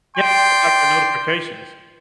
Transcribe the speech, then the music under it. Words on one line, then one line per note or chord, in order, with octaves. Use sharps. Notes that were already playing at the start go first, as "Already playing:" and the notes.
Yeah, with like the notifications.
D5 G5 C6